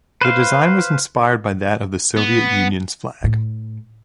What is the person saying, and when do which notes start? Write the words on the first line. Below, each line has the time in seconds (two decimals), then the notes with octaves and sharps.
The design was inspired by that of the Soviet Union's flag.
0.21 B4 C5 F5
2.16 B3
3.24 A2